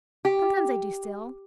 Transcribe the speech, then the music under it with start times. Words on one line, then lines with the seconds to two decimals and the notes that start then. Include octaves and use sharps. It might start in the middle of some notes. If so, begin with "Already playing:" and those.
"Sometimes I do still."
0.25 G4